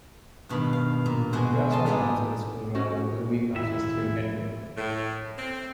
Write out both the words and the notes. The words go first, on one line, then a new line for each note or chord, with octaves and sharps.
Nebraska Kansas Colorado Railway passes through Atwood.
G2 B2 D#3 B5
F5
A#2
B2 G#3 F#4 C5
D#5 A5 C6
G#2 G3 B3 G#4 D5 E5
C#4 F#4 G4
D#2 A#2 E4 E5
A2
C4